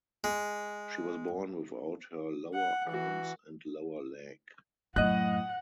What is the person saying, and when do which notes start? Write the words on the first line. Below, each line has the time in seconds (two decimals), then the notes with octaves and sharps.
She was born without her lower arms and lower leg.
0.24 G#3
2.54 F#5
2.87 E3 F#4
4.96 F#2 A2 D#5 F#5 F#6